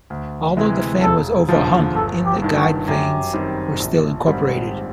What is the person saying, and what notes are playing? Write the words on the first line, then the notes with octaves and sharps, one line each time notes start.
Although the fan was overhung, inlet guide vanes were still incorporated.
D2
C3 E3 G#3
E1 A4
D#2 D3 F3
G1 A4
G4
G2 D#3
F#4
F#2 G4
D#3 G3 C4
A#1
G#2 D#3 G3 C4